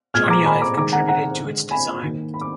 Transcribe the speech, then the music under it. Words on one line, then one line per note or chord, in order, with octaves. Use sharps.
Jony Ive contributed to its design.
A#2 G#3 F6 G#6
A#5 D6
G#5 B5
A#5 D6
D#3 G#3 A#5 D6
F#5 A#5
F#5 A#5
D3 G#3
G#5 B5
D#3 A#3
B5
D6